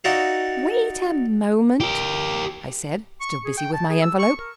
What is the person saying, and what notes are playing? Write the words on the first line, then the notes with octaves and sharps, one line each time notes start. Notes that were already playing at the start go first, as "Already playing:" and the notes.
"Wait a moment," I said, still busy with my envelope.
D#4 F#4 D5 E5 F5
G4 A#4
C#6
G#4
G5
A5
G#4
E6
C#6
A#4